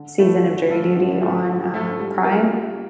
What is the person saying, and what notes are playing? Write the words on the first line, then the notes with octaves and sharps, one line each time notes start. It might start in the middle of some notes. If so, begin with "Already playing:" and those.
season of Jury Duty on, um, Prime,
Already playing: D3
F3 A3 E4 A4
D3
F3 A3 E4 A4
D3
F3 A3 E4 A4
D3
F3 A3 E4 A4
G3
A#3 F4 A#4
G3